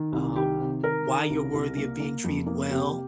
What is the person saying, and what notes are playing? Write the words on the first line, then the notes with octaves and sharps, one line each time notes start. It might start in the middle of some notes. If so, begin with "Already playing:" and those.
um, why you're worthy of being treated well,
Already playing: D#3
C2
D#3 G4
C3
D#3 A#4
D#3
C2
C2
A#3
A#3
F2
A#3
C3 G4